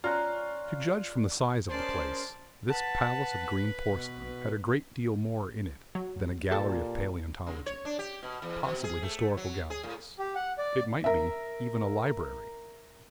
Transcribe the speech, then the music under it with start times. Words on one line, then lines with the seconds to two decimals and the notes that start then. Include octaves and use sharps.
'To judge from the size of the place, this Palace of Green Porcelain had a great deal more in it than a Gallery of Palaeontology; possibly historical galleries; it might be, even a library!
0.04 C#4 F4 D5 A#5 F#6
1.69 C#4 G#4 A#4 C5 D5 A5 C6
2.69 B4 F#5 A5
3.90 B2
5.95 F#3
6.51 A#2 G4 A4 A5
7.47 C#3
7.66 C#5
7.85 D4
7.99 G4
8.23 B2
8.42 E2
8.63 B2
8.84 G#4
9.03 A3
9.37 F#3
9.70 G#4
9.83 A2
10.19 G4
10.35 F#5
10.58 D5
11.04 A#4 E5